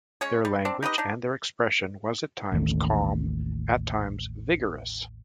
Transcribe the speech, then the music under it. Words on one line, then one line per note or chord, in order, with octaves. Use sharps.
Their language and their expression was at times calm, at times vigorous.
G#3 C#4 C#5
G3
C4 D4
D#4 G4 B4 D#5
D4 D#4
A1 D#2 A2